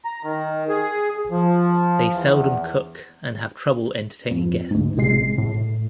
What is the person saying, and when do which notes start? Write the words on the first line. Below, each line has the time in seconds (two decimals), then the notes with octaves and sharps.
They seldom cook, and have trouble entertaining guests.
0.05 A#5
0.23 D#3
0.69 G#4
1.31 F3
2.13 E2
4.31 F2
4.71 D2 G#2
4.97 A1 C3 G#3 C7
5.38 A2